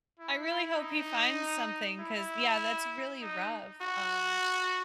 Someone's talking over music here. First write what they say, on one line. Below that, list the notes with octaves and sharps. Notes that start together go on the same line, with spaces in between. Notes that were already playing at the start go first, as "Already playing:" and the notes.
I really hope he finds something, 'cause, yeah, that's really rough, um.
E4
E4
D#4
E4
D#4
F#4